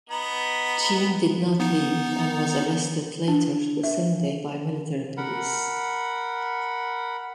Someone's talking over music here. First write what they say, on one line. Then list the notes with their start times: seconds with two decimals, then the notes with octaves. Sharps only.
Cheam did not leave, and was arrested later the same day by military police.
0.10 B3 D#4
1.60 B3 D#4
3.28 D4
3.83 E5
5.17 A#4 F#5 B5